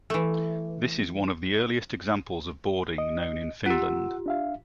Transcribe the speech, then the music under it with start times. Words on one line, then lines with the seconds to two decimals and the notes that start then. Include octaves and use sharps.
This is one of the earliest examples of boarding known in Finland.
0.10 E3 A3
2.98 D#5
3.66 F4 G4 F#5 E6
4.26 D4 E5 F5